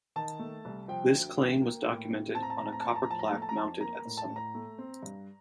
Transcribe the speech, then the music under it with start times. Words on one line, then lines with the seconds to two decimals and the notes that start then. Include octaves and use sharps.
This claim was documented on a copper plaque mounted at the summit.
0.16 D#3 A5
0.39 A3
0.65 C2
0.88 F3 G5
1.13 D2
1.37 D2
1.61 A#3
1.87 A2
2.11 A2
2.35 C4 A5
2.43 A#5
2.50 A5
2.58 A2 A#5
2.66 A5
2.72 A#5
2.80 A5
2.84 A2 A#5
2.96 A5
3.03 A#5
3.09 F3 A5
3.19 A#5
3.26 A5
3.32 A3 A#5
3.42 A5
3.49 A#5
3.56 F2 A5
3.81 A#3 A#5
4.00 A#5
4.05 A2
4.17 A5
4.30 A2
4.36 A#5
4.55 A3
4.78 C4
5.03 G2